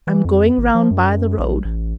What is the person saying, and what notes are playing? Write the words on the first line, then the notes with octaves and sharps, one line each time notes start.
I'm going round by the road.
E3
F2
G#1
F3
F#2
A#1
A1